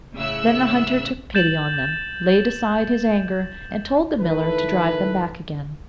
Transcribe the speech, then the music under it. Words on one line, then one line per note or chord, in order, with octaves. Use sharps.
Then the Hunter took pity on them, laid aside his anger, and told the miller to drive them back again.
A2 C#3 E5 E6 F#6
G6 A6 E7 F#7
D#3 A3 E4 A4 B4